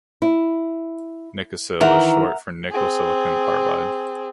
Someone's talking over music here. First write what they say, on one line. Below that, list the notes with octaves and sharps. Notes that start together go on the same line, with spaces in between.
Nikasil is short for Nickel Silicon Carbide.
E4
D#3 E3 A#4 E5 F#5
C4 G#4